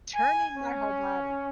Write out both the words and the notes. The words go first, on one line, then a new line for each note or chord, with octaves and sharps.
turning my whole body?
G#5
C#4